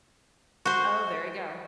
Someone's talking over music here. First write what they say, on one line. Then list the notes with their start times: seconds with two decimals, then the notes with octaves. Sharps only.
Oh, there you go.
0.65 F#4 C5